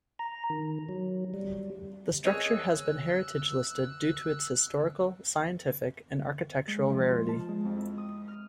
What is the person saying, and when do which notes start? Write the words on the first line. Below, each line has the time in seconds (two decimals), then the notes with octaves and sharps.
The structure has been heritage listed due to its historical, scientific and architectural rarity.
0.19 A#5
0.50 D#3
0.89 F#3
1.34 G3
2.24 G#4 C#5 D#5 E6 F#6
6.68 G#3
6.89 F3
7.10 F4
7.29 A5
7.48 G#3
7.65 F2
7.77 E4
7.98 D#6
8.28 F6